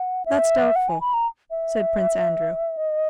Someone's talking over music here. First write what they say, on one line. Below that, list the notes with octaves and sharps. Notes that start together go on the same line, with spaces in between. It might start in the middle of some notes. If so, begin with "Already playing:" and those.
"That is doubtful," said Prince Andrew.
Already playing: F#5
E5
F#5
G#5
B5
A#5
E5
D#5